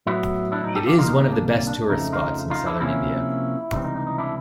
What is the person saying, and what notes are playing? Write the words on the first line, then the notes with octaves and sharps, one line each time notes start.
It is one of the best tourist spots in Southern India.
A2 F#3 B3 E4 F#4
D4 E4
D#4
G4 A4
F4 G4
C3 D#3 G3 A#3 D#4 F4
D#4
D#4
D4
D4
F2 C#3 F3 A3 D#4
D#4 F4
D#4 F4
D4 E4
C3 F3 A#3 C#4 D4 E4
C#2 C3 E3 G3 C4 D#4
D#4
D#4
D#4
D4 E4